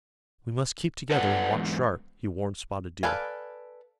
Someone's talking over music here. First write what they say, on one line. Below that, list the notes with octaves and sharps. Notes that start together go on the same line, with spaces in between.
"We must keep together, and watch sharp," he warned Spotted Deer.
A4 B4 D5 F#5
E2 G#2
A4 B4 D5 F5 G#5